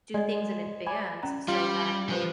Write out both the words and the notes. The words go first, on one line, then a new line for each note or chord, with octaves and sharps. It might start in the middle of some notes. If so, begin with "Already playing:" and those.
do things in advance so that
G#3 D5 D#5
D5 G#5 B5 D6
C#4 A#5
G3 F4
F3 B4 C5 G#5